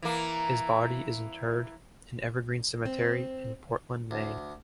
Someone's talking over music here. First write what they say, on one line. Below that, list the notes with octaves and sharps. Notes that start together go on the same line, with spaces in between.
His body is interred in Evergreen Cemetery in Portland, Maine.
E3 A#3
C4
D2